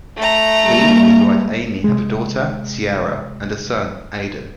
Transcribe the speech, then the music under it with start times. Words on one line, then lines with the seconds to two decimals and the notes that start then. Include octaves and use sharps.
He and his wife Amy have a daughter, Ciara, and a son, Aidan.
0.17 A3 A#5
0.63 G3 G#3 A#3
1.84 C3 G#3